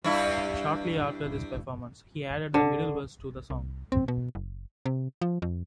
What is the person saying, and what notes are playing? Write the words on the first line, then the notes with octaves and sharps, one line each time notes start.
Shortly after this performance, he added the middle verse to the song.
G2 E4
D3
C2
C4
B2
F#1
C3
F3
F2